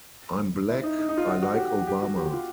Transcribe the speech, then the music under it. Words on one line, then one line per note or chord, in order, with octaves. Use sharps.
I'm black; I like Obama.
E4
D#4
D#4
D#4
F4
F#4
F#4
F#4
G4
G4
F#4
G4
F#4
F4